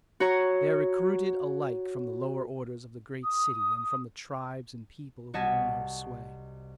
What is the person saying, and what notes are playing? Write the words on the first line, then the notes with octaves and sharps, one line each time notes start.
They are recruited alike from the lower orders of the great city and from the tribes and people who own her sway.
F#4 C#5 A#5
D#6
C2 F#4 D#5 A5 G#6 B6